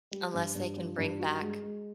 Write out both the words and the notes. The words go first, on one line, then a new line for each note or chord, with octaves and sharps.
Unless they can bring back,
G3
G2
G2
F3
G2
F#4
G#3
G#3